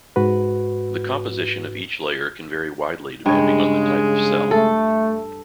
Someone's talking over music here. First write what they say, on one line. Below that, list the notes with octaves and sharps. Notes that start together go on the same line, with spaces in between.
The composition of each layer can vary widely depending on the type of cell.
G#2 F#4 B4
G2 C#3 G#3 C#5
A3 A4